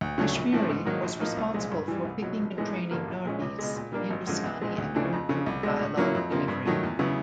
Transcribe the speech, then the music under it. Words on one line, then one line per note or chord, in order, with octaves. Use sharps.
Kashmiri was responsible for picking and training Nargis in Hindustani and Urdu dialogue delivery.
D2
C#3 F#3 A3 D4
A#1
A2 E3 A3 C4
G#2
D#3 F#3 A#3 D#4
A#1
A2 F3 A#3 D#4
C2
A#2 F3 G#3
G2
E3 G3
C2
B2 F#3
A#1
A2 E3 G#3 B3
A1
G2 D3 G3 A#3
A#1
A#2 F3 G#3 C#4
C#2
B2 G#3
A#2
G3 A#3 D4
G#1
F#2 D3 F3 G#3
B1
A#2 F3 G#3
D2
C#3 E3 A3 D4
F2
C#3 F3
C2
B2 G#3
A2
F#3 A#3 C#4 E4
F2
C3 F3 A#3
G2
D#3 F#3 A3
E2
C#3 F#3 B3 E4